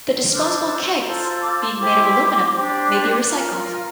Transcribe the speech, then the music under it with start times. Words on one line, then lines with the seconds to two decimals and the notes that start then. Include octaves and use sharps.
The disposable kegs, being made of aluminum, may be recycled.
0.30 D4 A4 C5 F6
0.48 E6
0.67 A5
1.04 F4 A4 C5 A#5
1.23 C6
1.33 E6
1.42 D6
1.60 C6
1.79 E4 G4 C5 D6
2.55 D4 G4 C5
3.29 F4 A#4 F6
3.54 F6